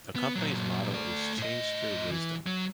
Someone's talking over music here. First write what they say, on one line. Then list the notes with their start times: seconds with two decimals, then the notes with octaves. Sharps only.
The Company's motto is 'Change through Wisdom'.
0.16 B3
0.35 A#2 F#3
0.94 A3 D5
1.38 A2 D#5
2.11 E3
2.47 F#3